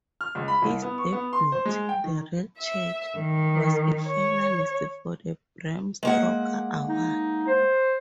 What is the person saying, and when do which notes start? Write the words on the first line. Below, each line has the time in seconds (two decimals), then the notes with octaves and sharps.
His debut, "The Red Church", was a finalist for the Bram Stoker Award.
0.21 F6
0.35 C#2
0.48 B5
0.62 C2
0.82 B3
0.98 C#6
1.12 B3
1.33 C6
1.52 C5
1.65 G#3
1.89 G5
2.04 D#3
2.59 E5
3.18 D#3
4.05 C#5
6.03 G#3 A#3 F#5
6.89 D#4
7.47 C5